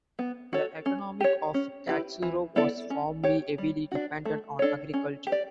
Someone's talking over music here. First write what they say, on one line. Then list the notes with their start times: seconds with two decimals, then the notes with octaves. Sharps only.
The economy of Katsuro was formerly heavily dependent on agriculture.
0.19 B3
0.53 F#4 A4 C#5
0.86 C#4
1.21 G4 C#5
1.54 C#4
1.88 E4 G4 B4
2.22 E3
2.56 B3 E4 A4 D5
2.90 C#4
3.23 G4 C#5
3.58 G3
3.91 D4 F#4
4.25 A3
4.59 D4 A4 C#5
4.94 C#4
5.27 G4
5.32 D5